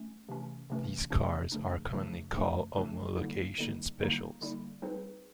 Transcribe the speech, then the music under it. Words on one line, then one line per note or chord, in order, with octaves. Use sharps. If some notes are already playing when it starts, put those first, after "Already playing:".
These cars are commonly called "homologation specials".
Already playing: A3 C#4
C3 E3 A3 C#4
C3 E3 A3 C#4
C3 E3 A3 C#4
F#2 C#3 F3 A3 D4
F#2 C#3 F3 A3 D4
F#2 C#3 F3 A3 D4
F#2 C#3 F3 A3 D4
D3 G3 A#3 D#4
D3 G3 A#3 D#4
D3 G3 A#3 D#4
D3 G3 A#3 D#4
G3 C4 D#4 G#4 B4